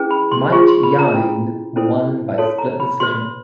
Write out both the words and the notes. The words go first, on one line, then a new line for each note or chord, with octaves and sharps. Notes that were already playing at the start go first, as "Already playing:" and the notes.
Mite Yine won by split decision.
Already playing: C#4 E4 G#4 B4
B5
C6
F4 G#4 C5 C#6
C6
B5
A#5
C#4 E4 A4
C#4 E4 A4 C5
F#4 A4 C#5 A5
A#5
B5
F#4 B4 C6